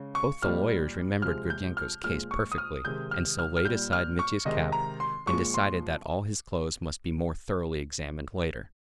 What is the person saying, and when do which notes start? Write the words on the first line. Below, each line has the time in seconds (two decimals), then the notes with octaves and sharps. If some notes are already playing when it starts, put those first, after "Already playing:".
Both the lawyers remembered Gridyenko's case perfectly, and so laid aside Mitya's cap, and decided that all his clothes must be more thoroughly examined later.
Already playing: C#3 G#3
0.15 C#6
0.42 A#2 G3 F6
1.22 C3 F3 G#3 F6
1.50 G6
1.77 F6
2.03 A#2 F3 G#3 F6
2.31 C#6
2.52 D#6
2.58 F6
2.85 C3 D#3 G#3 G6
3.11 F6
3.39 F6
3.57 F6
3.65 A#2 G3 G6
3.93 F6
4.19 C#6
4.45 C3 D#3 G#3 D#5
4.72 A#5
5.00 C6
5.26 A#2 F3 G#3 C#6
5.54 C6